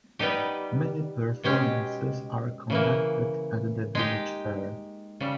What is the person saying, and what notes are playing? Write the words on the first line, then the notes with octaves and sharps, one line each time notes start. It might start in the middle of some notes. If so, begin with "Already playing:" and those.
Many performances are conducted at the village fair.
G3 B3 D#4 G4
B2 G#3 C#4 G4
C#3 E3 A#3
G#3 D#4 G4
C#3 G3